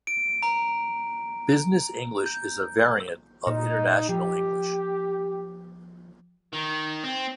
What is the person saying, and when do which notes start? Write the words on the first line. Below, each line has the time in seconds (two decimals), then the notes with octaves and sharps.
Business English is a variant of international English.
0.07 D7
0.43 A#5
2.26 G6
3.47 A#2 D#4
4.09 F3 G4
6.53 D#3
7.04 C4